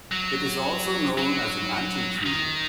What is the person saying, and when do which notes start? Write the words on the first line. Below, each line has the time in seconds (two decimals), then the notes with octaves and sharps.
It is also known as an "anticube".
0.12 F#3
1.18 F#3
2.26 D#3